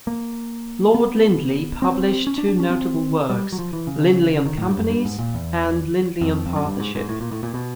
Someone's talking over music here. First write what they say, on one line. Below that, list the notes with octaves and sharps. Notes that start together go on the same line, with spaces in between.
Lord Lindley published two notable works, "Lindley on Companies" and "Lindley on Partnership".
A#3
B3
C4
C#4
D4
D4
C#4
C4
G3
F#3
F3
E3
C#3
D#3
A2
G2
F#2
G2
G#2
A#2
E2
F2
F2
F#2
G2
G#2
G#2
A2
A#2
A2
A#2
B2